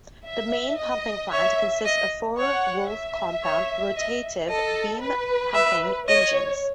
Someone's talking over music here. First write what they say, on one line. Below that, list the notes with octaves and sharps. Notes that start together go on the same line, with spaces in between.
The main pumping plant consists of four Woolf compound, rotative, beam pumping engines.
E5
D#5
C#5 E5
D#5
C#5 F#5
E5
C#5
D#5
A4 D#5
B4
E5
C#5 D#5